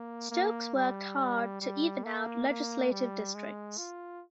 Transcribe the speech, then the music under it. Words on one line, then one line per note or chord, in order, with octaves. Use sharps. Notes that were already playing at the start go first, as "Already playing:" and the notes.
Stokes worked hard to even out legislative districts.
Already playing: A#3
A#3
G3
G3
A#3
A#3
G3
G#3
F4